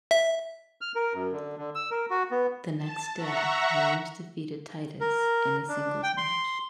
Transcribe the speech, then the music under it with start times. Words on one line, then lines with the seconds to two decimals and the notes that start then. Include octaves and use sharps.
The next day, Williams defeated Titus in a singles match.
0.11 E5
0.81 F6
0.95 A#4
1.13 F#2
1.32 D3
1.57 D3
1.75 E6
1.91 A#4
2.10 F#4
2.31 B3
2.77 A5
3.15 E5 F#5 A#5 C#6
5.01 A#4
5.68 D4
6.03 G5
6.17 C6